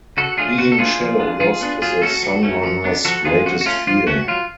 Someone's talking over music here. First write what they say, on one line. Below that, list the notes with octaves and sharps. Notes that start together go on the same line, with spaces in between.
Being Shadow-lost is a Sunrunner's greatest fear.
C#3 F#4 A4
F#3 A3 D4 F4 G#4
C#3 F#4
A4
F#3 A3 D4 F4 G#4
F3
B3 D4
F3 F4 G#4
B3 D4
F#3 F4 G#4
A3 C#4 F#4 A4
F#3
A3 C#4
F3
B3 D4
F3 F#4 A4
B3 D4 F4 G#4
F3 F#4
F#4
A3 C#4 F4
F3 F4
A3 C#4 F#4
F#3 F4